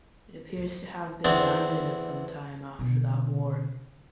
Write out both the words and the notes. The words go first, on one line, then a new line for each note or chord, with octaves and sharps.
It appears to have been abandoned at some time after that war.
E2 C4 D4
B2 D3